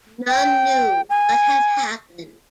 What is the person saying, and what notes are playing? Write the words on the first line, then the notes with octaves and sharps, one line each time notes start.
None knew what had happened.
G5
G#5